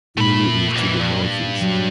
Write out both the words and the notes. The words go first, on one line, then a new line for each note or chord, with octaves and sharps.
Erie is to the northeast.
A#2 A3 B5
C#2 E3
G2
F#3